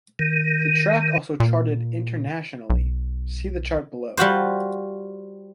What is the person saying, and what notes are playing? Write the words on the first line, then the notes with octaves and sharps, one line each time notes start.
The track also charted internationally - see the chart below.
D#3
A#2
B1
G3 F4 F#4 C5